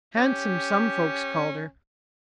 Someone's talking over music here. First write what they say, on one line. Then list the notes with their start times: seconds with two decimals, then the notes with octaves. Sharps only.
Handsome, some folks called her.
0.16 C#4 G4